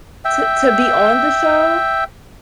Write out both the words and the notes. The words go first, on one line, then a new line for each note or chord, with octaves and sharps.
To to be on the show?
E5 G5